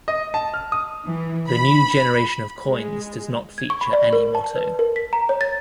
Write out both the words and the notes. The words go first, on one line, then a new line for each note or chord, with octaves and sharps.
The new generation of coins does not feature any motto.
D#5
A5
F6
D#6
E3
B5
G#3
G#6
C#6
B5
D5
A#4
A5
B4
A#4
B6
A#5
C#5
A6